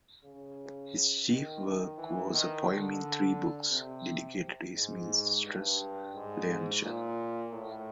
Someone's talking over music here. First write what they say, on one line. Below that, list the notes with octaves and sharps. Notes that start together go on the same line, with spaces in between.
His chief work was a poem in three books, dedicated to his mistress Leontion.
C#3
D#3
E3
D#3
D3
C3
G#2
G2
G#2
A#2
A2